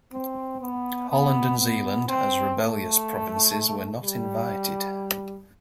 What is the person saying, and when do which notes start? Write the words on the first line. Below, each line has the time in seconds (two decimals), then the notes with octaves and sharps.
Holland and Zeeland, as rebellious provinces, were not invited.
0.12 C4
0.61 B3
1.10 B3
1.60 B3
2.08 C4
2.58 A3
4.04 G3